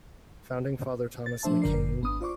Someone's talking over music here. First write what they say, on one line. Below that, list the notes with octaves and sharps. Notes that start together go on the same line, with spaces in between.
Founding Father Thomas McKean.
A6
F3 A3 D4 C5 E5 A5
G1 F#2 D3 A#4 D5 C7
G#1 B3 D4 D#6
F4 C5 D5 C#6 D6